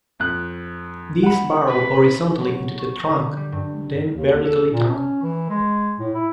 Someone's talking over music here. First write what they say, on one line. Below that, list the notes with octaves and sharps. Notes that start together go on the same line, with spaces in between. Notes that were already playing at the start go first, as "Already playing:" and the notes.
These burrow horizontally into the trunk then vertically down.
F2 F#6
F#5 B5
B4
F#3
C#6
D3
G3
G2
D#2
D#2
A4
A#2
C#4
E3
G#3
A2
E4